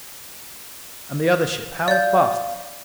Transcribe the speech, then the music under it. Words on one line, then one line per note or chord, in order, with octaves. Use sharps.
"And the other ship--how fast is it?"
D5 F5 G6